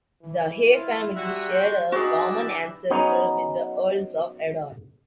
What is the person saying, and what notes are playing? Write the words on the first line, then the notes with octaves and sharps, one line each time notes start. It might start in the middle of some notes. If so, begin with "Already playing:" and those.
The Hay family share a common ancestor with the Earls of Erroll.
E3
E4 F4
A#2 G3 F#4 E5
C5
G2 D#4 F#4 G#4 B4 D5 E5
E3
F#3 B3 C#4 D#4 G#4